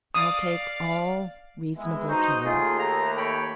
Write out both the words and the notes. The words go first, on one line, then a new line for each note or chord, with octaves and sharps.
"I'll take all reasonable care."
D5 F5 D#6
G#3 B3 E4
D#4 F#4 C5
D#2 A3 F4 G#4
A#5
C#5 G5 B5